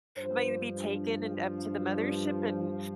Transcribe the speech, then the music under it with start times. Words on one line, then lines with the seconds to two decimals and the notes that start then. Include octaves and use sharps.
am I gonna be taken and up to the mothership?" And
0.18 G2 F3 C5
1.95 D5